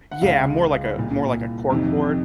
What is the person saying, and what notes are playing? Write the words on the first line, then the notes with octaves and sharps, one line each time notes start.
Yeah, more like a more like a corkboard.
F#5
C#2 C#3 F5
C2 A#2
F2 C3 D#3